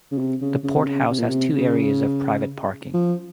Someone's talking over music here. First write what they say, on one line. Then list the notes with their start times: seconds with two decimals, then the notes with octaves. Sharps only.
The port house has two areas of private parking.
0.12 C#3
0.18 C3
0.41 C#3
0.64 C#3
0.78 C3
0.87 C#3
1.10 C3
1.19 A#2
1.28 C3
1.57 C#3
2.94 F3